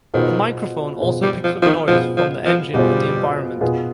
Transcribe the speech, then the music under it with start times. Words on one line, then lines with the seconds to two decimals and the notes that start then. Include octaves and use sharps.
The microphone also picks up noise from the engine and the environment.
0.14 B2 D#3 B3 F4 G#4 C5
1.00 B2 B3 F4 G#4 C5
1.23 G3
1.44 F3
1.62 F3
1.65 D#3
1.88 B2 F3 B3 F4 G#4 C5
2.17 F3
2.45 F3
2.74 B2 G3 B3 F4 G#4 C5
3.61 B2 B3 F4 G#4 B4